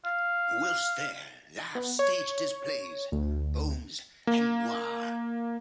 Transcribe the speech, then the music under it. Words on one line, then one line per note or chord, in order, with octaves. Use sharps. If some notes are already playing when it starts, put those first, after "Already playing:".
Whilst there, Live staged his plays, "Bones" and "Noir".
F5
B3
C#5
D2
A#3